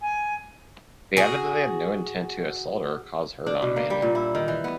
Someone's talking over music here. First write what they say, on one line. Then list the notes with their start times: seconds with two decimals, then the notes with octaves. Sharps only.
They added they had no intent to assault or cause hurt on Maniam.
0.01 G#5
1.17 F#4 G#4
3.47 D4
3.62 B2
3.76 A#3
3.90 G3
4.02 A#2
4.15 E4
4.35 D#3
4.48 E3
4.64 B3